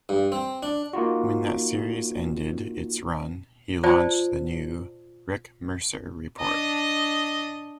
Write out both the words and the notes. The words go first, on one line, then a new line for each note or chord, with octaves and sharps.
When that series ended its run, he launched the new "Rick Mercer Report".
G2
C4
D4
A#3 D#4 F4 F#4
F4 C5 D5 G5 A5
D4 D#5